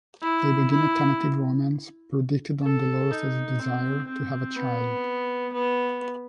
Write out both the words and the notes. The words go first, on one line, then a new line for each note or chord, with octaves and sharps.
They begin a tentative romance, predicated on Dolores's desire to have a child.
E4
E4
A4
D#4
C4
C4
B3
B3